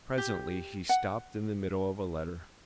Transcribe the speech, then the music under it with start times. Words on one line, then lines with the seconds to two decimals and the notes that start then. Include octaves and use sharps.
Presently he stopped in the middle of a letter.
0.18 G4
0.89 F#5